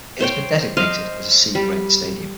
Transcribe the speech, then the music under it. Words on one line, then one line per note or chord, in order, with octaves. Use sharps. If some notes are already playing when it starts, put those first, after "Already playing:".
It has been designated as a 'C' Grade stadium.
C5 C#5 G5
C5 D#5 F5
G3